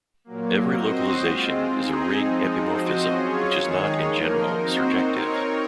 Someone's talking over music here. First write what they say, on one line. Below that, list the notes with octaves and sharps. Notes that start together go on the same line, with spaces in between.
Every localization is a ring epimorphism, which is not, in general, surjective.
A#2 F#3 A#3
C4 F#4 C5 D#5
G#3 C4 F4
C4 D#4 G#4
F3 G#3 C4 D#4
F3 C4 F#4 C5 D#5
F#3 C#4 F4 G#4 C#5
D#3 G#3 D#4 G#4 C#5
F3 A#3 D#4 A#4
C4 D#4 F#4 C5
C4 D#4 A#4 C#5